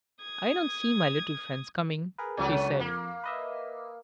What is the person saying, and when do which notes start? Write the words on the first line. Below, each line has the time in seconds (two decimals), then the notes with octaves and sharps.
"I don't see my little friends coming," she said.
0.22 D#6 G#6
2.18 G#4 A#4 B4
2.37 C#2 F#3 A3 B3 D4 G#5
2.80 F2 A#3
3.24 B4 D#5 E5